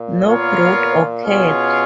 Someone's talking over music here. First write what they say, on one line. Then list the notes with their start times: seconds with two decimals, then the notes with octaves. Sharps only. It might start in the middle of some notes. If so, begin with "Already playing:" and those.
No growth occurred.
Already playing: A#2
0.25 B3 F4 A#4 C#5 F5
1.25 B2 C#4 F4 G#4 C#5 F5